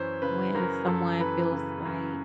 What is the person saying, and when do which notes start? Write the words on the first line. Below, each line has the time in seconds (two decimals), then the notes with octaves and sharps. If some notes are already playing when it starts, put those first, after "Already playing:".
when someone feels like
Already playing: F#2 E3 C5 C#5
0.22 C#3 B4
0.54 F#2 A#4
0.87 F#2 A4
1.19 E3 B4
1.52 C#3
1.85 F#2